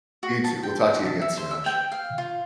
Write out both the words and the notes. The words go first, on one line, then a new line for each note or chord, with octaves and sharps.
You too. We'll talk to you again soon, I'm sure.
F#4
A5
G5
A5
E5
C5
E5
G5
F5
F4